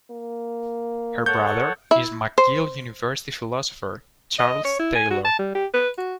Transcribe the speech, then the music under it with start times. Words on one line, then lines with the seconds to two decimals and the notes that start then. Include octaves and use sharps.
Her brother is McGill University philosopher Charles Taylor.
0.11 A#3
1.26 A4 C#5 F#5 G6
1.91 E4
2.38 C5
4.39 D#5
4.64 C#5
4.79 E4
4.95 G#5
5.11 F#4
5.25 A5
5.39 G3
5.55 G4
5.74 B4
5.98 F#4